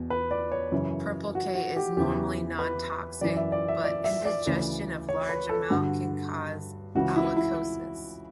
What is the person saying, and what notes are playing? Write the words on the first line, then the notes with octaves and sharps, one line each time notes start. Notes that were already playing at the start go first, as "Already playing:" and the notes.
Purple-K is normally non-toxic, but ingestion of large amount can cause alkalosis.
Already playing: E2 B2
B4
D5
C#5
F#2 C#3 E3
F#4
F#4
G4
E2 C#3 E3 G4
B4
F#2 E3 D5
E5
D5
E5
D5
E5
D5
D2 C#3 E3
C#5
B4
A4
G2 D3 F#4
C#2 C#3 E3 F#4
E4
E4